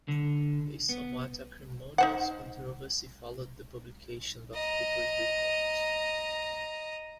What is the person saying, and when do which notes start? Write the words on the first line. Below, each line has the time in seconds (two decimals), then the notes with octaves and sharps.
A somewhat acrimonious controversy followed the publication of Cooper's report.
0.08 D3
0.89 B3
1.98 D#4 C5 F#5
4.55 D#5 A#5